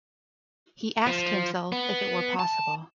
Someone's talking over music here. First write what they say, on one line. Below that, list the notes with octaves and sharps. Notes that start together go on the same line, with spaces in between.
He asked himself if it were possible.
F3
B3
A5